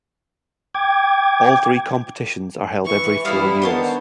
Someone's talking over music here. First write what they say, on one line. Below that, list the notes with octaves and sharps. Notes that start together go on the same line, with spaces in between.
All three competitions are held every four years.
G5 D6 G#6
E3 C#6
A2 E3 G3 B3 E4 F5 B5
D3 D#3 B3 C5 C#5 A5